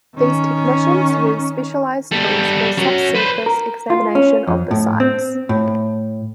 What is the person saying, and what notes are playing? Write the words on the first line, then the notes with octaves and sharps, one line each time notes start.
These technicians use specialized tools for subsurface examination of the sites.
D#3 C#4
G3 A4
F#3 C#4
B4 C5
A#4
F4
C#4
F2
A2
C4
A2